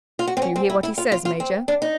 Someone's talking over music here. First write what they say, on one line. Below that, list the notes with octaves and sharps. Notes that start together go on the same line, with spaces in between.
"Do you hear what he says, major?"
F4
F#4
C4
C#4
C4
E4
E4
F4
F4
F4
C4
D4
D#4